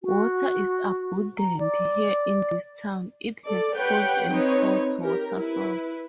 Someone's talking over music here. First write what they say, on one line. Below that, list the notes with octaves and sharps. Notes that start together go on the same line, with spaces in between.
Water is abundant here in this town, it has cold and hot water source.
F#4
A#5
D5
A4 D5
G4 B4 C#5 F#5 G5
C4 D#4 B4 C#5
G4 A#4
E4 B4